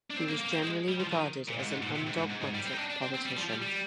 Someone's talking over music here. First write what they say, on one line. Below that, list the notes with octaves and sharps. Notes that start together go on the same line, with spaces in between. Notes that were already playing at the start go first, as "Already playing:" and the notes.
He was generally regarded as an undogmatic politician.
D4
C4
A#3
A#3
C4
G#3
G3
F3
D#3
A#2
G#2
G#2
A#2
C3
G#2
G#2
G#2
G#2
G3
C4
D#4
D4
D4
C4
C4
G3
F3
G3
G3